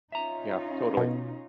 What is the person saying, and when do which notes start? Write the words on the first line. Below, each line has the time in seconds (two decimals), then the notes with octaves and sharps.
Yeah, totally.
0.12 C#4 D#4 F4 E5 A#5
0.97 B2